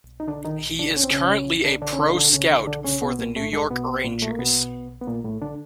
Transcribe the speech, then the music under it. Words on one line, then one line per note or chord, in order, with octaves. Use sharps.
He is currently a pro scout for the New York Rangers.
D#4
D3 D4
D#3 D#4
D3 D4
C#4
C4
C#3 C#4
D3 D4
D3 D4
C#4
D3 D4
D#4
D3 D4
C#3 C#4
D3 D4
D3 D4
C#3 C#4
B2 B3
A#2 A#3
A2 A3
G#2 G#3
B2 B3
A#2 A#3
A3
A#3
B2 B3
B3
A#2 A#3
A2 A3
D3 D4